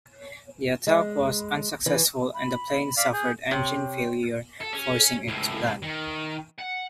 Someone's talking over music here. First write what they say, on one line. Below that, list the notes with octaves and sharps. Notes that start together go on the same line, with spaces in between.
The attack was unsuccessful and the plane suffered engine failure forcing it to land.
G#3
E3
B5
D5 F5 B6
G#4 G6
C3 C#5 G5 C6
A4
C#4
C#2 A2
D#3
F#5